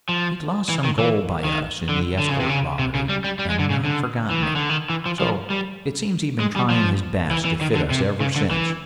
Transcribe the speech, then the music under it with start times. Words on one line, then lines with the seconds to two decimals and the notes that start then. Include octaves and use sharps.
He'd lost some gold by us in the escort robbery, and not forgotten it; so it seems he'd been trying his best to fit us ever since.
0.09 F3
0.69 E3
0.84 D#3
0.99 E3
1.45 D#3
1.89 D3
2.19 D3
2.29 C#3
2.40 C3
2.49 C#3
2.79 C3
2.95 C#3
3.09 G3
3.24 G3
3.39 G3
3.50 G#3
3.59 D3
3.70 C#3
3.85 D3
4.30 E3
4.43 D#3
4.56 D3
4.69 D#3
4.90 E3
5.06 F3
5.20 F3
5.50 G3
6.40 G#3
6.56 G3
6.70 F3
7.31 E3
7.45 E3
7.61 D#3
7.75 D3
7.90 C3
8.21 C#3
8.36 D3
8.51 E3